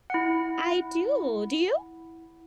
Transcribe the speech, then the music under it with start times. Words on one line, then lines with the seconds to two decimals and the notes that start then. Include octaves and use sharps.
I do. Do you?
0.10 E4 F#5